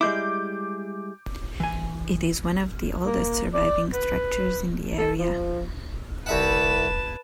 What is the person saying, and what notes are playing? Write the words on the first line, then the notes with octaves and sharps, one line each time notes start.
It is one of the oldest surviving structures in the area.
G3 G#3 E4 D6 G6
E3 G#5
A#3
D5
B4
A4
F3
C2 B4 E5 F#5 A5